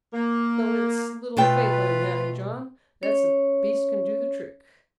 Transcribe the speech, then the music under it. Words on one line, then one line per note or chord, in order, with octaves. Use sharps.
"Though it's little faith I'm having, John, that the beast can do the trick."
A#3
B2 A3 F4 B4 G5
C#4 C#5